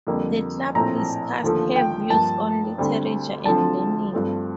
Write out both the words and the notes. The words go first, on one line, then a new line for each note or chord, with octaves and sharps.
The club discussed her views on literature and learning.
F2 D3 G3 A#3
A#1 A2 A3 C4 A#5
D#2 D3 F3 A3
G5
G2 F3 A#3 A5
D2 D3 G3 C4
D2 D3 F3 C4 A5
G2 F3 A3 C4